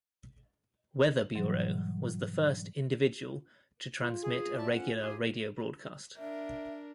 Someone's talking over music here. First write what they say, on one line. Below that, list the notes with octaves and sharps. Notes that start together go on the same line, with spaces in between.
Weather Bureau was the first individual to transmit a regular radio broadcast.
G#2 B2 E3 F#3 G3
F4
G#4
D5 E5 A5
F2 C#4 F#5
F4 G4 G#4
D4 A#4 E5